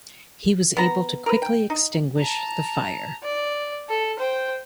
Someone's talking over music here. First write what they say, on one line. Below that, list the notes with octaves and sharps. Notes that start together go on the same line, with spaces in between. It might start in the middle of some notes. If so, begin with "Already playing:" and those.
He was able to quickly extinguish the fire.
B3 A#5
A#4 B4
G5
D#4
A5 A#5
D5
A4
C5 G5